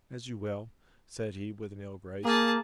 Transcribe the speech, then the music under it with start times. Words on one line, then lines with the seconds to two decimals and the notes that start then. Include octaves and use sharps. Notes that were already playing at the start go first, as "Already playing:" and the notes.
"As you will," said he, with an ill grace.
2.25 A#3 G#4 A5